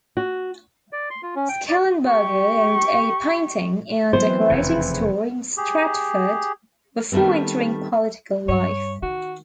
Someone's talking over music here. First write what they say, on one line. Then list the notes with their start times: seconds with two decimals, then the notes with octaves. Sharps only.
Schellenberger owned a painting and decorating store in Stratford before entering political life.
0.17 F#4
0.93 D5
1.10 C6
1.23 F4
1.36 C#4
1.49 G5
1.69 D5
2.07 G4 C#6
4.13 E3 F#3 G3 B3 C4 B4 C5
4.50 F1 E2 C#3
5.57 G4 G#4
7.12 D#3 G3 A3 B3 C4
8.48 G2 C#5
9.02 D#3 F#4